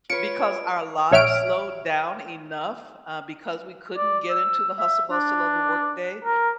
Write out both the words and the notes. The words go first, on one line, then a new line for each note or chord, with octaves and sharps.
because our lives slowed down enough, uh, because we couldn't get into the hustle bustle of the workday,
F4 B4 C#5 C#7 D7
A#1 C#5 E5 F6 D7
D5
E6
E5
D4
A#4